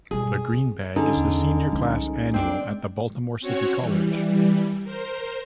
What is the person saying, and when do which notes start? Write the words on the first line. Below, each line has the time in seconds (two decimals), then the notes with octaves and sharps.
"The Green Bag" is the senior class annual at the Baltimore City College.
0.11 B2 G3 G#4
0.53 C4
0.96 D3 C#4 D#4 G#4
1.17 E2
1.72 C2 F3 G#3
2.34 C4 D4 D5
3.40 C4 C#4 F#4 C#5
3.78 E3 G3
4.84 A#4 C5